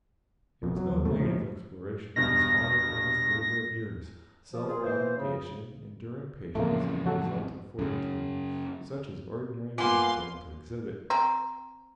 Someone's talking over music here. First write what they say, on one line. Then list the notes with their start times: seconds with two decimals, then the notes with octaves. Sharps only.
It was no negative exploration, it was hard, earnest labor of years, self-abnegation, enduring patience, and exalted fortitude, such as ordinary men fail to exhibit.
0.63 F1 F2
0.77 F#3
0.92 D#2
1.05 C2 C3 D#3 A3
1.20 A2 F3
2.16 E1 G2 B2 A#6
4.52 F3
4.67 A#2 F4 G#4
4.83 E3 A#3 C5
5.15 C#3
6.55 A1 F2 C#3 A3 A#3
7.06 F#3 F#4 A4
7.79 F#2 C#3
9.78 A#3 B3 F4 F5 G#5 C6
11.10 C4 A#5